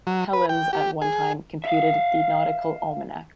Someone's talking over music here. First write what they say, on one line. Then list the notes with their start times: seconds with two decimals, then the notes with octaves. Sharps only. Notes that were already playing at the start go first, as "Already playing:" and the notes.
Hellins at one time computed the "Nautical Almanac".
0.07 F#3
0.33 B4
0.49 G5
0.73 G4
1.02 G#4
1.64 E5 F5